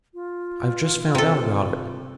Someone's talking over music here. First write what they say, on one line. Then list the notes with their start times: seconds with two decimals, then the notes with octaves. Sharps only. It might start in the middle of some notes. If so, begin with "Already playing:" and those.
I have just found out about it.
0.14 F4
1.15 C3 A4